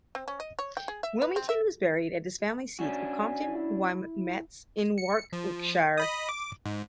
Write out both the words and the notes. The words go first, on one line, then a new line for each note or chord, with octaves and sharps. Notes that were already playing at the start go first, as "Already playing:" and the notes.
Wilmington was buried at his family seat of Compton Wynyates in Warwickshire.
C4
C#4
D#5
C#5
G5
G#4
E5
B4
C4
E5
C#4 D4 F#4 G#5
E4
C#7
F3
D#5 B5 D#6
D6
G#2